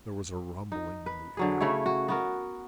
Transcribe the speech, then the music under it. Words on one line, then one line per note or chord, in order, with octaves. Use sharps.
There was a rumbling in the air.
D#4
B4
D3 F#3 G#4
C#3 A3 E4 C#5
F#4
B3 F#4 A#4